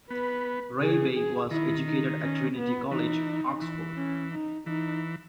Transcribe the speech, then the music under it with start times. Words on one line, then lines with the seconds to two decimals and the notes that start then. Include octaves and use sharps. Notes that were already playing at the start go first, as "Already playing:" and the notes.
Reibey was educated at Trinity College, Oxford.
0.10 B3 B4
0.81 C#3 G#4
1.15 G#4
1.51 D#3 E4
1.87 D#4
2.21 C#4
2.57 B3
2.91 E3 D#4
3.62 E3
3.97 C#4
4.32 D#4
4.66 E3 D#4